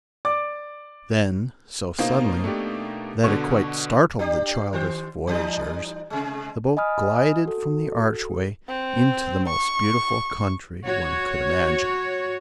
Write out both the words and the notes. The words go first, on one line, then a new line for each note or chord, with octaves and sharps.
Then, so suddenly that it quite startled the childish voyagers, the boat glided from the archway into the most beautiful country one could imagine.
D5 D6
B2 A#3 D#4 C5 F5
A3 D4 G4
B2 D3 C#6
D4 G4
D#3 C5
E3 G3 D#4
C3 G#3
D#5 G#5 B5 D#6 F6
F#4 A4
C4
C#6
F#4 C#5